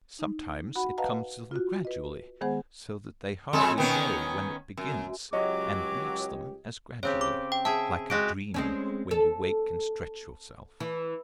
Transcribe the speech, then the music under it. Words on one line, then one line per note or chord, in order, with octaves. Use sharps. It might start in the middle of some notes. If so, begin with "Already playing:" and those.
Sometimes it comes to them gradually so that they hardly know when it begins, and leaves them as gradually, like a dream when you wake and stretch yourself.
D#4
F#4 F#5 B5
B4 D#5 F5 F#5 A5 A#5
F4 F#4
B4 D#5
D#3 G#3 B3 G#4 C5 F#5
F2 G#3 A4
D#3 B3 C#4
F#2
C#2 F#3 G4 C#5 D#5 D6
C#3 C4 G4 C#5
D6
G5
G#4 E5 A5
G#3 F#4 G4 D7
G#3 C4 C#4
A4
E3